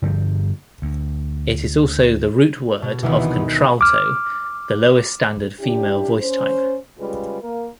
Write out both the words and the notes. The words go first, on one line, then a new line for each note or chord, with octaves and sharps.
It is also the root word of contralto, the lowest standard female voice type.
G2 D3 F3 G3
D2
B2
D2 C3 D#3 E3 B3
D6 F6
C#4 D4 E4 G4
C#4 C5
C#3 G3 G#3 F4 B4
A#3